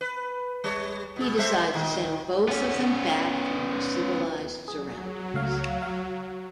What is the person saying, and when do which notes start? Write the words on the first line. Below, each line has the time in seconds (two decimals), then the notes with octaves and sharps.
He decides to send both of them back to more civilized surroundings.
0.01 B4
0.64 G3 C#5
1.16 B2 G#4
1.38 G3 C5 E5
1.74 A#2 D#3
2.48 B3 C#4
4.68 F#3 G#4
5.34 C#2 A3 F5
5.82 F#4 F5